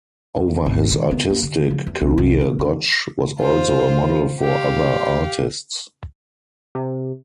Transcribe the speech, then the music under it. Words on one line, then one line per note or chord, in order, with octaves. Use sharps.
Over his artistic career Gotch was also a model for other artists.
G#1
D#3
B3
A#3
D3
F3
E2
C2
C2
D#3
C#3
F4 C5
G4 F5
C3